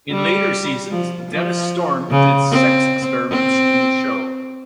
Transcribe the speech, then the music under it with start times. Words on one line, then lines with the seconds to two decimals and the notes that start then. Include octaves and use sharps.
In later seasons, Dennis Storm did sex experiments in the show.
0.11 G3
0.91 F3
1.31 F3
2.11 C#3
2.51 C4
3.31 C4